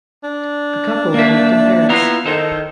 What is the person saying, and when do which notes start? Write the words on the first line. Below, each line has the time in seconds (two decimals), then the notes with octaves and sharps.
The couple lived in Paris.
0.24 D4
1.14 A#3 E5
1.89 B3 E4 F4 A#5
2.26 D#3 A4 C5 D#5